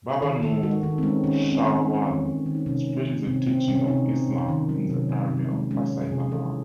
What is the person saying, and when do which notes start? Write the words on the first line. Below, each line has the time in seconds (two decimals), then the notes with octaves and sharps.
Baba Noor Shah Wali spread the teaching of Islam in the area of Faisalabad.
0.22 D#3 A4
0.42 D#3 A4
0.63 G#3 F#4
0.83 D#3 D#4
0.98 C4
1.03 G#3 C#4
1.24 D#3 C#4
1.43 D#3 C#4
1.52 C4
1.65 D#3
1.70 C4
1.84 G#3
2.05 D#3
2.25 G#3
2.46 D#3
2.55 D#4
2.66 C3 C#4
2.87 C3
3.06 D#3
3.27 C3 C4
3.47 C3 C4
3.68 C3 C#4
3.87 C3 D#4
4.09 C3
4.29 C3
4.49 D#3
4.69 F#3
4.90 C3
5.09 C3
5.30 C3
5.51 G#3
5.71 G#3 C#4
5.92 G#3
6.01 G#4
6.12 C3
6.32 E3 A4